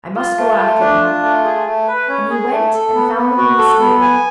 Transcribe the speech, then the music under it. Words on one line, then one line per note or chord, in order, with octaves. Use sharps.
'I must go after them.' And he went and found them in the stable.
F4
A3
A3
D4
F4
A3
G#4
A3
B4
C#4
G#4
A3
A4
B3
B3
F#4
A4
B3
G#5